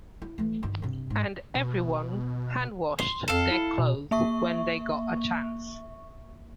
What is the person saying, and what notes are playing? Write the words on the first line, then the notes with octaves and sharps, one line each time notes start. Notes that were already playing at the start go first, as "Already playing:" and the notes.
And everyone hand-washed their clothes when they got a chance.
E4
E3 A3
G2 D#3
G2 C3
G#2
B2
C6
F2 A4 F5
E4
B2
A#3 E5 C#6